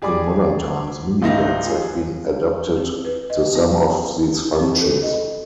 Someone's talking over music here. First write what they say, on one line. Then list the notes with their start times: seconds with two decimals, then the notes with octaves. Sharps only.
In modern times minivans have been adapted to some of these functions.
0.02 G4 G#4 D5 B5 D6
1.22 G#1 C#2 D#3 D#4 E5 A#6
1.66 F3 G#4
2.77 C4
3.05 B4
3.30 D#5
3.55 B3
4.38 E4
4.59 C4
4.81 A4
5.03 D#5